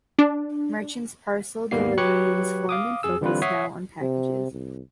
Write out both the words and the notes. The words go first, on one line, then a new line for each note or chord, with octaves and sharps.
Merchants Parcel Delivery was formed and focused now on packages.
D4
D#2 G#2 G3 A#3 B3 C7
F#3 G4 B4 C#5 F#6 C#7
F5 D6 D#6
F2 G#4 E6
D3 E3 G3 C4 F4 B4
C#5 E5 F#5 D#6 B6 C7
C3
C2